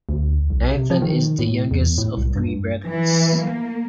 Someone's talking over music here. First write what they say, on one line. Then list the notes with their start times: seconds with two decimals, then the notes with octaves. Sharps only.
Anton is the youngest of three brothers.
0.09 D2
0.50 B1
0.69 C3
0.90 F3
1.02 D#3
1.39 A2
1.71 E2
1.98 A2
2.17 C2
2.36 G2
2.86 E3
3.36 A#3